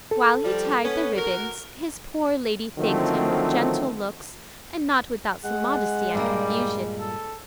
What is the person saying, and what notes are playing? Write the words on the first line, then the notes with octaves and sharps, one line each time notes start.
While he tied the ribands his poor lady thanked him with gentle looks and not without some modesty and confusion.
A4
F3 G3
B3 C#4
F#4 A#4
D3 D#3 F3 F#3 A3 C4
G#3 F#5
G2 A#2 G3 A#3
A4